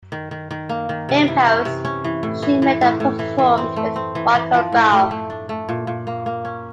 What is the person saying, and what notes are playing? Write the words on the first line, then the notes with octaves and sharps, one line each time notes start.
In Paris, she met and performed with Michael Balfe.
D#3
D#3
D#3
A#3
D#3
C3
E3
C#4
C3
C#4
E3
A2
E3
E3
A2
A2
E3
E3
C4
A3
C4
E3
E3
F3
A2
A3
A3
D4
A3
A#2
A#2
A#3
A#3
C#4